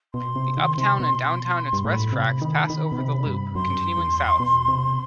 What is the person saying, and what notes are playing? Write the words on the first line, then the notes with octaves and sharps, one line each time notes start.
The uptown and downtown express tracks pass over the loop, continuing south.
B2 C6
C3
D#3
C3
B2
G2
A2 B5
C3
D#3
D#3
B2
C3
G2
F#2 C6
E2
B2
C3